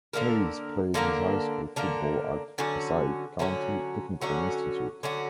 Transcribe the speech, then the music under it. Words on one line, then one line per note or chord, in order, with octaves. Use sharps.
Hayes played his high school football at Passaic County Technical Institute.
D3 A#3 D4 A#4
D3 A#3 D4 A#4
D3 A#3 D4 A#4
D3 F#3 C#4 F#4
D3 F#3 C#4 F#4
D3 F#3 C#4 F#4
D3 F#3 C#4 F#4